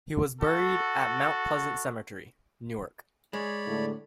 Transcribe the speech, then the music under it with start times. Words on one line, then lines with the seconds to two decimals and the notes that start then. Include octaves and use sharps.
He was buried at Mount Pleasant Cemetery, Newark.
0.40 F#4 A4
3.33 G#3 C#5 D5 B5
3.67 A2 D3